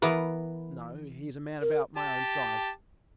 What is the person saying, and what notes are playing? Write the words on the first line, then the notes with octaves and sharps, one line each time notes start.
"No, he is a man about my own size."
E3 B3 A#4 B4
A#4
G4 A5